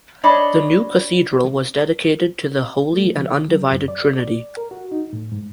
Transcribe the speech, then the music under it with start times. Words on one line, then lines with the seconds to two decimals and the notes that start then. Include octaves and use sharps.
The new cathedral was dedicated to the Holy and Undivided Trinity.
0.24 D4 C#5 D#5 B5
2.93 A3
3.05 F3
3.21 D3
3.48 F#3
3.72 F#2
3.88 D5
4.19 D5
4.57 A#4
4.71 F#4
4.91 D#4
5.13 A2
5.32 G#2